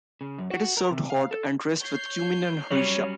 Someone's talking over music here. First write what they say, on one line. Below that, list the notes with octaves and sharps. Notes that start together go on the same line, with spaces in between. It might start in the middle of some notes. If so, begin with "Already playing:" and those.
It is served hot and dressed with cumin and harissa.
C#3
F#2
F#4
A#4
C3
F5
A4
C#5 G6 C7
F#3 G3 C#4 C#5